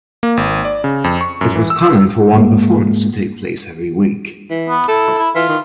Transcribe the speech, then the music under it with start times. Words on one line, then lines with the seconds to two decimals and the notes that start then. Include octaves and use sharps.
It was common for one performance to take place every week.
0.23 A#3
0.37 G#1
0.65 D5
0.84 C#3
1.04 F2
1.21 C#6
1.41 F#2
1.56 E3
1.70 E6
2.33 G#2 G#3 A#3
4.50 E3
4.69 B3
4.88 E4 A4
5.18 E4
5.35 E3 F4
5.49 D#3